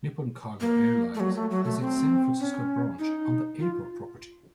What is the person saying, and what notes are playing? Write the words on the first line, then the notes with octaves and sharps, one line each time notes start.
Nippon Cargo Airlines has its San Francisco branch on the airport property.
A#3
A3
F#3
A3
F#3
A3
C4
C#4
D#4
F4